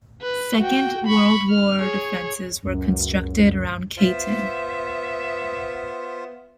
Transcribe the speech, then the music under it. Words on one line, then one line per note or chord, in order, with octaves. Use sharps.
Second World War defences were constructed around Cayton.
B4
F#4 G5
B5 C#6
F6
G#4 C#5
C#2 F#2
B3 F4 C5 E5